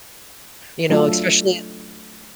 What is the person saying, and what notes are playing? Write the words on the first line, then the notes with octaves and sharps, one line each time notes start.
you know, especially at
F#3 A3 D4 F4 A4